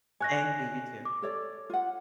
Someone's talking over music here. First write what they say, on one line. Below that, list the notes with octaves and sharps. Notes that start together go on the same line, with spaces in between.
Thank you, you too.
C#5 D#5 G#5 F#6 A#6
D6
A4 C#5 D5
F4 F#5